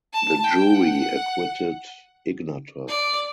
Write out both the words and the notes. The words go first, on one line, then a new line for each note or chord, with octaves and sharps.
The jury acquitted Ignatow.
A5
G5
F#5
D5